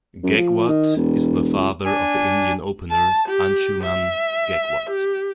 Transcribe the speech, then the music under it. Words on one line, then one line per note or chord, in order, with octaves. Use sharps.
Gaekwad is the father of the Indian opener Anshuman Gaekwad.
F#2
F3
D#3
E1
C#2
D4 G#5
A5
G4
E5
G4